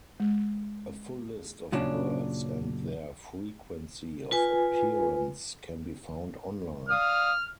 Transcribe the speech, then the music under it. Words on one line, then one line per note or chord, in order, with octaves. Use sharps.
A full list of birds and their frequency of appearance can be found online.
G#3
F#2 A#2 C#3 F#3 C#4 D4
F4 B4 G#5
D5 F5 D#6 F6